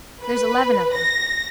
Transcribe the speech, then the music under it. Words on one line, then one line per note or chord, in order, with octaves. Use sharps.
There's eleven of them.
B4
A#6